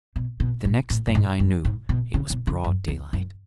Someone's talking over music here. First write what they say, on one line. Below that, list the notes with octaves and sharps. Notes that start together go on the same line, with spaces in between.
The next thing I knew it was broad daylight.
B2
B2
A2
A2
F#2
G#2
F#2
G#2
B2
C#3
B2
C#3
F#2
E2
F#2